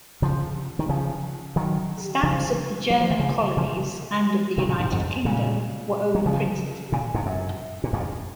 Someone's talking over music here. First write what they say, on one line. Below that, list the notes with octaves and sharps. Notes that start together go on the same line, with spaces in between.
Stamps of the German colonies and of the United Kingdom were overprinted.
C#3 F3
D#3
C#3 F3
D#3 F#3
C#3 F3
F#3
F3
D#3
C#3 F3
C#3 F3
C3 D#3
A#2 C#3
G#2 C3
F2 G#2
A#2 C#3
F#3
C#3 F3
A#2 C#3
G#2 C3
F#2
A#2
F2 G#2